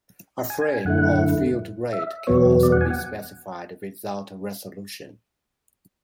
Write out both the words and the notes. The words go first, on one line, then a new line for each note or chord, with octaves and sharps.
A frame or field rate can also be specified without a resolution.
G#5
G#5
G#5
F#2 D3 A3 E4 F#5
E5
E2 B2 F#3 B3 C#5
D5
F#5
G#5
F#5